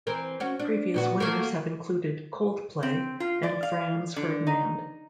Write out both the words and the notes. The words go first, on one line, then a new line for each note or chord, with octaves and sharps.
Previous winners have included Coldplay and Franz Ferdinand.
E3 C4 A#4
C#4 F#4
D4
A#2 B3 F#4
F#3 A3 A#3
C4
F4
D5
F5
D3
D#4